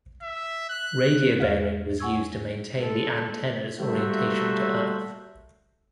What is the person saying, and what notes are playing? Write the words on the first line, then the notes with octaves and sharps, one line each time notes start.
Radio bearing was used to maintain the antennas' orientation to Earth.
E5
F#6
E2 G#4 E5 F5 F6
F#5 G#5 C#6 E6 G#6
G#3 A4
G3 A3 A#3 F#4 C5 E5